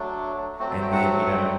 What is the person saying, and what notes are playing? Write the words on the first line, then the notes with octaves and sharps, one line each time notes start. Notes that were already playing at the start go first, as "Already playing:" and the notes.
and then, you know, uh,
Already playing: F#3 A3 D4
F#3 A3 C4 F#4
A4
G5
F#5
F#5
E5